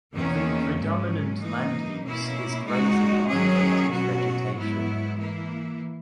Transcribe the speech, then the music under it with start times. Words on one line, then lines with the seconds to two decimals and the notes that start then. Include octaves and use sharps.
The predominant land use is grazing on native vegetation.
0.14 E2 D#3 A#3 C#4
0.78 G#2 F#3 C#4
1.40 E3 A#3 D#4
2.03 B2 A#3 C#4 E4
2.65 A#2 G#3 D#4 F#4
3.28 D#3 F#3 C#4 G#4
3.91 B2 F#3 C#4 F#4
4.55 G#2 F#3 B3 E4
5.17 E3 A#3 E4